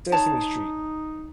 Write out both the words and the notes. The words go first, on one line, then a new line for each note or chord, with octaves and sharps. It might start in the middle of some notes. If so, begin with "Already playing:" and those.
Sesame Street.
D#4 C#5 A5